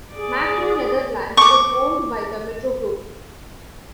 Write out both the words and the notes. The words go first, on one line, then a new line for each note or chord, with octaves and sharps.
Makro Netherlands is owned by the Metro Group.
G#4 D5
C#6 D6